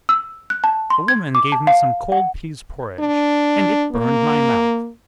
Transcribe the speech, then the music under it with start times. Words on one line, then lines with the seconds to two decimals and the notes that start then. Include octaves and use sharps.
"A woman gave me some cold pease porridge, and it burned my mouth."
0.09 E6
0.50 F#6
0.64 A5
0.90 C6
1.08 G#6
1.35 D6
1.52 A5
1.67 F5
2.12 F#5
2.99 D4
3.92 A#3